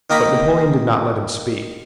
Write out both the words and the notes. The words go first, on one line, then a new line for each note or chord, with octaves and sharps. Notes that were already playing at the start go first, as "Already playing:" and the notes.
But Napoleon did not let him speak.
D#3 A#3 D#5 G5 A#5 B5